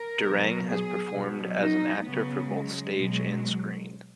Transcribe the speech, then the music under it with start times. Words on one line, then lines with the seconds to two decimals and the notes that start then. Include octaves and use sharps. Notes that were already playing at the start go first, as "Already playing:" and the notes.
Durang has performed as an actor for both stage and screen.
Already playing: A#4
0.24 B2 F#3
0.70 G#4
1.14 B2 F#3
1.60 D#4
2.04 C#3 F#3 B3
2.51 G#3
2.96 B2 F#3